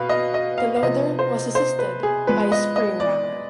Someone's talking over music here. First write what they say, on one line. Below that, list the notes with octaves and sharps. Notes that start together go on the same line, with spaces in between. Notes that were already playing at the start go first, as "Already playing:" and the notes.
The loader was assisted by a spring rammer.
Already playing: B2 B4 F5
D#5
D#5
F5
F5
C3 F3 B3 D#5
C5
C5
B4
G#4
F3 G#3 B3 B4
D#5
D#5
D5